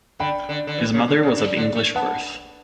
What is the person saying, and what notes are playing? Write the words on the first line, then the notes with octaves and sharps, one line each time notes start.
His mother was of English birth.
D3 G5 B5
D3
D3
E3
C#3
D3
C#3
D3
D3
A3
B3 F#5 A5